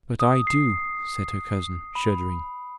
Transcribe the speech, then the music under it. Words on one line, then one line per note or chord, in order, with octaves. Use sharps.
'But I do,' said her cousin, shuddering.
D#6
C7
B5